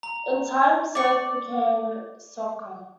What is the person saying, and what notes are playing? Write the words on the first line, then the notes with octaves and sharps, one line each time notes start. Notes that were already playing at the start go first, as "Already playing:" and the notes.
In time, "Soke" became "Socon".
A#5
D5 C#6